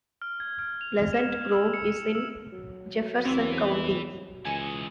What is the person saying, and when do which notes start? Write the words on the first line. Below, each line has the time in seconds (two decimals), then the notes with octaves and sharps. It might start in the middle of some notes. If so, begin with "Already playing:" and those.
Pleasant Grove is in Jefferson County.
0.22 F6
0.40 G#6
0.59 F6
0.81 F7
1.13 E7
1.51 E6
1.74 C#7
2.15 E6
2.52 F#3
3.25 E2 E3 C4
4.45 C#2 E3 D#5 G#5 C#7 E7